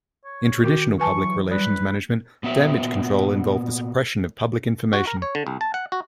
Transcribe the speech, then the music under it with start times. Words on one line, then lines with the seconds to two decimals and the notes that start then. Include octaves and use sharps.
In traditional public relations management, damage control involved the suppression of public information.
0.25 C#5
0.63 D#3 F#4 G4
1.00 E3 F#3 B4 G#5 A5 C#6
1.51 G3 B4
2.43 A#2 B3 F#4 E5
4.93 F#4
5.07 A#4
5.22 C#5
5.35 D3
5.47 C2
5.61 A5
5.74 F#5
5.92 F#4